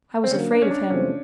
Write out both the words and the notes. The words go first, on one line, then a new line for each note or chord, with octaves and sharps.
I was afraid of him.
C4
D3 F#3 A#3 C#4
D4
C#4
D4
E2 C3 F3 A3 C4 C#4